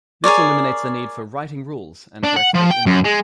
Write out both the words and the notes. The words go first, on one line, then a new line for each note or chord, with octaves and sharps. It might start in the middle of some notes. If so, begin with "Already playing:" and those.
This eliminates the need for writing rules and for expert input.
G#4 A#4 C#5 D5
D4
F#5
F3
G5
F#2
G#3